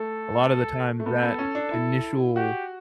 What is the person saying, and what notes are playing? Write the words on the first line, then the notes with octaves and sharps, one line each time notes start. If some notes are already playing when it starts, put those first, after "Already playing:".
a lotta the time that initial
Already playing: A3 A4
A3
B3 A4
B3
C#4
D4
E4
F#4 G4